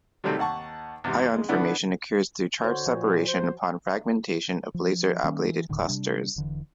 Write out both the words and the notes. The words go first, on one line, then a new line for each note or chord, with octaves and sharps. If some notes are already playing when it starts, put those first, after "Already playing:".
Ion formation occurs through charge separation upon fragmentation of laser ablated clusters.
C3 D#3 F#3 G3 A3 C4
D#2 F#5 A5 C#6
E2 G#2 C3
G#3
D3 B3 D4 E4 F#4
D3 F#4 C5 C#5
A#2 F3
C5
F3
D#3 G3 A#3 C#4
E3
D#1 A2 D3 D#3
C3 G3 D4
E1 D3 E3